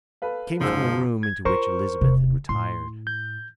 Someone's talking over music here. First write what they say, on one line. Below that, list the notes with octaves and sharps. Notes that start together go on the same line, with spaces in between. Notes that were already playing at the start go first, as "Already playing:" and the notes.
It came from the room into which Elizabeth had retired.
A4 B4 F5
F#1 G#2 F3 E6
G#6
F4 A#4 C5 C#6
E1 C3
A2 C6
G6